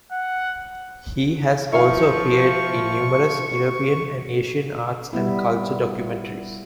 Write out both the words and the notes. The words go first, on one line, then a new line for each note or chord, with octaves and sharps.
He has also appeared in numerous European and Asian arts and culture documentaries.
F#5
F3 E4 F5 C#6
G3 B3 E4